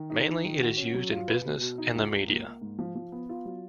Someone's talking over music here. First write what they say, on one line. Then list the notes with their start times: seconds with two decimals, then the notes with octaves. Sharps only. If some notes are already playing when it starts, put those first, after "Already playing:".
Mainly it is used in business and the media.
Already playing: D#3
0.10 D#4
0.27 D#4
0.45 D#3
0.61 F#4
0.77 C#4
0.94 F#3
1.11 F4
1.28 B4
1.45 B2
1.61 B2
1.78 D#4
1.95 C#2
2.11 C#2
2.28 A#3
2.45 A#3
2.61 G#2
2.79 F3
2.95 F3
3.12 B3
3.29 F4
3.46 F#3